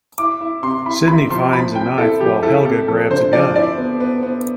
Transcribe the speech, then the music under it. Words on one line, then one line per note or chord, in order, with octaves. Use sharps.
Sidney finds a knife while Helga grabs a gun.
E4 D6
E4
C3 C6
E4 B5
E4 B5
F3 C6
F3 B5
C4 G5
E4 A4
F3 G4
E4 A4
C3 A4
F3 A4
D3 C5
F3 D5
E4 D5
B3
B3
B3